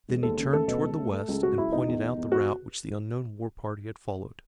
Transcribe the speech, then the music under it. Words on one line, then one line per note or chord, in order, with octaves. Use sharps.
Then he turned toward the west, and pointed out the route which the unknown war-party had followed.
E1
D#2 A4
C#3
A3 A4
B2
C#2
A3
A3
C#2
C#2 F#4
C#2 E4
E2 D#4
E2
E2
E2
F#4